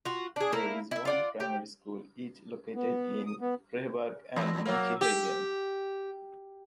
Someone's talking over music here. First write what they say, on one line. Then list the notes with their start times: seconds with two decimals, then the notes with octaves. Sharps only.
There is one primary school each located in Rehburg and Münchehagen.
0.05 F4 F#4
0.36 D4 G#4
0.52 A#3 E4
0.91 E4 E5
1.05 F4 D5 F#5
1.40 G4
2.75 B3
3.26 D#6
3.41 B3
4.36 E2
4.65 F#3 A#3
5.01 G4